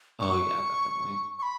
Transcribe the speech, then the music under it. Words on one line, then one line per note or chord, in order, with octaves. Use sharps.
Oh, yeah, definitely.
C#6
C#6
B5